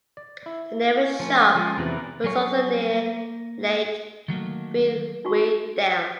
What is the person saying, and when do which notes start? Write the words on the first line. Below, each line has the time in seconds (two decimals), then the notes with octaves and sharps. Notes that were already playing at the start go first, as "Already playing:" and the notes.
The nearest shop is also near Lake Vyrnwy Dam.
0.17 D5
0.46 E4
1.03 C#4
1.20 F3 A3
1.55 F3 G#3 F4
1.78 E2 C3 E3 A#4 B4 D5
2.24 F#3 G3 G#4 C#5
2.90 A#3
4.28 D#3 F#3 A3 A#3
5.25 D#4 F4 F#4 G5 C#6